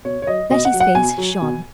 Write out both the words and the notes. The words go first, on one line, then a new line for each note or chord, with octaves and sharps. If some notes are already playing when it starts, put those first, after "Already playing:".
Betty's face shone.
B2 C#5
C#5
F#3 D#5
B2 D#5
F#5
F#3
F#5
B2 G#5
F#3
B2